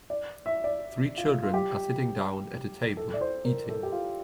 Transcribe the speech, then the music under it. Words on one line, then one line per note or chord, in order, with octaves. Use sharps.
Three children are sitting down at a table eating.
D5
E5
D5
F4
F4
G4
A4
D5
C5
A#4
A4
G4
F4